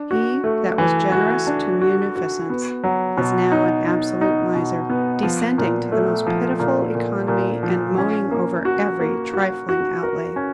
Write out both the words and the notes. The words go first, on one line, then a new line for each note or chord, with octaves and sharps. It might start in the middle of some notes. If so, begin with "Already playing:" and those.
He that was generous to munificence is now an absolute miser, descending to the most pitiful economy and moaning over every trifling outlay.
Already playing: D4
F#4
A3
E3
F#4
D4
F#4
F#4
B3
F#3
B2
D#4
D#4
D#4
B2
B3
F3
A#2
A3
F3
A#2
A#2
A#2
F3
C#4
A#3
F#4
A#3
F#4
F#4
A#4
C#4